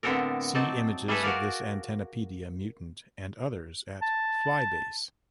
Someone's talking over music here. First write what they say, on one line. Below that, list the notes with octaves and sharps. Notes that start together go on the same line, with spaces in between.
See images of this "antennapedia" mutant and others, at FlyBase.
A2 D3 B3 C4 A4 A#4
F#3 C4 D#4 D5 A5
G3 A3 G#4 A4 B4
F#4 A#4 D5 F5
A5